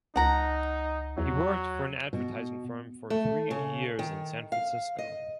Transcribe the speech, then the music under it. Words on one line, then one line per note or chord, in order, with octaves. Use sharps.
He worked for an advertising firm for three years in San Francisco.
C#2 D#4 F#5 A#5
E2 F#3
B2
A3
C#3
D#3
F5
D#5